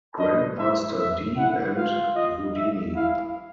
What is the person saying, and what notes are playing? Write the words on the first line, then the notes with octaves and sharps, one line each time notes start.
Grandmaster D, and Whodini.
D4 D#5
E4 E5
E5
E4 F#5
F4 F5
D#5
E5
E4 F5